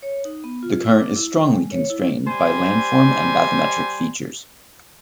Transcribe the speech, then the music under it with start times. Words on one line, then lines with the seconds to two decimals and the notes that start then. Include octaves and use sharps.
The current is strongly constrained by landform and bathymetric features.
0.02 C#5
0.25 D#4
0.44 B3
0.63 F4
0.83 E6
0.99 D6
1.16 E4
1.37 G5
1.52 G#3
1.72 C#5
1.90 E4
2.27 G3 C5 G#5